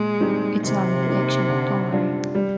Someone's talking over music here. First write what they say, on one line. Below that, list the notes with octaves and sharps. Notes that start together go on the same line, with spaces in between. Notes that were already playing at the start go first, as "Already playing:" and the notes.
It's not an addiction, don't worry.
Already playing: A#2 G#3
G3 C4 D#4 G4
C3 D#3
A#3 D#4
D3
G3 D4 F4
G3